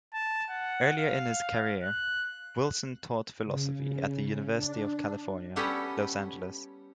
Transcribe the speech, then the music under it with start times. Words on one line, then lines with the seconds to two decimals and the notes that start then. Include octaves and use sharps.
Earlier in his career, Wilson taught philosophy at the University of California, Los Angeles.
0.14 A5
0.50 F#5
0.98 F5
1.83 F#6
3.44 C#3
3.77 C#3
4.52 D4
5.56 G3 B3 C#4 G4 A4 F#5